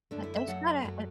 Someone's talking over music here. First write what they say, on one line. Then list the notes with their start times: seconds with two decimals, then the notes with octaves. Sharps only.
I it's gotta
0.11 F#2 D3 A3 D4
0.23 E4
0.36 E5
0.47 F#2 F#3 A3 F#5
0.83 F#2 F#3 A3